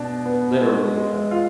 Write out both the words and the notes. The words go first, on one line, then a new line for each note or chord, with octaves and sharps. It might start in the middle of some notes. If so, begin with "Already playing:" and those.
um, literally, uh
Already playing: B2 D4
B3
G#3
G#3
F4